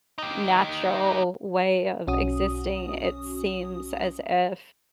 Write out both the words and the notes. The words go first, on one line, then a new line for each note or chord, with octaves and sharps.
natural way of existing, it seems as if
D#4 G4
B1 C#4 F#4 D#6